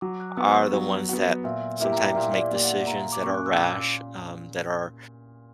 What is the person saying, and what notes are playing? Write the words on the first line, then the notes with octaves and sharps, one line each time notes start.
are the ones that sometimes, make, decisions that are rash, um, that are,
F#3 D6
F#6
B3 F#4 E6
C#6
F#3
B3 F#4
A#2 E5
A#3 E4 G4 E5
A#5
G5
D5
A#2 E5
D5
A#3 E4 G4 D5
F#5
E5
A#2 A#5
D6
A#3 C#4 C#6
F#6
E6
A#2 D6